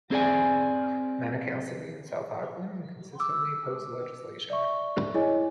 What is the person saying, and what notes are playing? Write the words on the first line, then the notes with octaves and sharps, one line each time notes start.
Manukau City in South Auckland consistently opposed the legislation.
C4 G#4 D5 G#5
D6 E6
D5 E5 C#6
E4 G#4 C#5 D#5 G#5